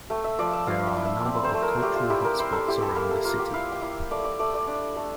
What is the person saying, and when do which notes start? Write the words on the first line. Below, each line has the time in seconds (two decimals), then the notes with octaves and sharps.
There are a number of cultural hot spots around the city.
0.10 A3 G5
0.24 E5
0.38 F3 D5
0.53 E5
0.67 F3 F5
0.87 G5
0.97 E4
1.05 E5
1.25 C4 D5
1.44 C5
1.54 A3
1.62 A#4
1.82 A3 G4
1.96 F4
2.10 E4 G4
2.24 A#4
2.39 E4 C5
2.53 A4
2.68 E4 G4
2.82 A4
2.96 A#3 A#4
3.11 A4
3.24 A#3 F4
3.39 G4
3.54 E4 F5
3.72 G5
3.82 E4
4.11 A3 D5
4.24 D5
4.39 A3 D5
4.54 D5
4.67 D4
4.96 A3